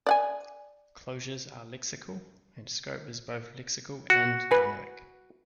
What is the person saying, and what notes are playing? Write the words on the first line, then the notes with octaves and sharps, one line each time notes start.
Closures are lexical, and scope is both lexical and dynamic.
D5 F#5 G#5
F#4
B4 G#5